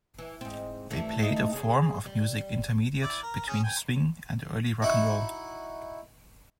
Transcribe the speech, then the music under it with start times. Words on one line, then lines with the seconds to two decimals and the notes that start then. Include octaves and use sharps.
They played a form of music intermediate between swing and early rock and roll.
0.18 E3
0.41 G#2 C4
0.90 G2 E3 A3
1.19 A3 D#4
1.53 C#3 G#4
2.06 G3
3.03 E4 D5
3.23 A#4
3.47 C#4 G#4
3.63 G5 G#5
4.82 D#4 E4 F#4